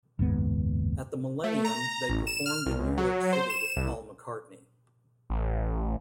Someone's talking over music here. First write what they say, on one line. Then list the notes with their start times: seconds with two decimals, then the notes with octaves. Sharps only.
At the millennium, they performed in New York City with Paul McCartney.
0.19 F#1 D#2 G#2 B3
1.44 A3
1.65 A#5
2.09 A1
2.27 E7
2.46 F6
2.66 C2
2.79 C#2
2.97 F#3
3.33 C5
3.50 E7
3.76 C2
5.30 A1